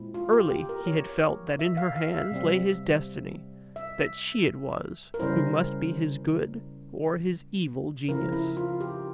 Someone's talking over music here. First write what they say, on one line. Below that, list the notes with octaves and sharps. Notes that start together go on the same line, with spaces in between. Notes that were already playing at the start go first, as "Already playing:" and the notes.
Early he had felt that in her hands lay his destiny; that she it was who must be his good or his evil genius.
Already playing: A#2 G#3 C4 E4
F4
G4
G4
A#4
C#5
E5
F5
F5
E5
C3 G3 C4
E5
A#4
C#3 G3 C#4 E4 C5
C#3 F3 C4 E4 A#4
E4
F4
G4